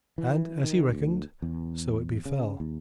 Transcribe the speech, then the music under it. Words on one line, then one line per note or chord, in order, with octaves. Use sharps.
And as he reckoned so it befell.
E3
D#3
D2
E2
C#3
D#2